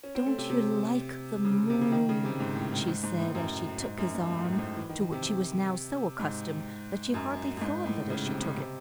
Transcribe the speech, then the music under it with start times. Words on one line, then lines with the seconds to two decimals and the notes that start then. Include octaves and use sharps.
"Don't you like the moon?" she said, as she took his arm, to which she was now so accustomed that she hardly thought of it as she took it.
0.03 C#4
0.15 C4
0.26 A3
0.38 C3
0.50 C3
1.45 C#3
1.70 C3
1.81 C#3
1.92 D#3
2.09 C#3
2.25 C3
2.40 G#2
2.56 A2
2.72 G#2
2.88 G#2
3.03 G#2
3.19 A2
3.28 G#2
3.35 F#2
3.83 G#2
3.98 F#2
4.15 G#2
4.30 G#2
4.37 A2
4.44 G#2
4.53 A2
4.59 G#2
4.77 E3
4.89 D#3
5.00 D#3
5.12 C3
6.19 G#2
7.14 F#2
7.57 F#2
7.61 G#2
7.86 A2
8.10 C#3
8.26 C3
8.42 C#3
8.57 C3